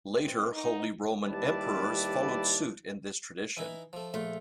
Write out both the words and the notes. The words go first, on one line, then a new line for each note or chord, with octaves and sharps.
Later Holy Roman Emperors followed suit in this tradition.
C4
D#4
D#2 G3 E4 B4 D5 A5
E3 D#4 E4
F3 A3
A#1 A3 F4